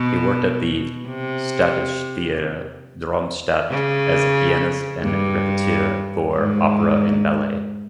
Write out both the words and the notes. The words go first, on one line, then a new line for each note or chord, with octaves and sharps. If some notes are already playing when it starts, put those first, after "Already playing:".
He worked at the Staatstheater Darmstadt as pianist and repetiteur for opera and ballet.
Already playing: B2
C3
C#3
G2
G#2